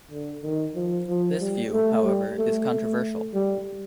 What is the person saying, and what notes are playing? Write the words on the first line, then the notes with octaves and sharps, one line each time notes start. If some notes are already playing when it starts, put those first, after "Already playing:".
This view, however, is controversial.
D3
D#3
F3
F3
G3
A3
G3
A3
A3
G3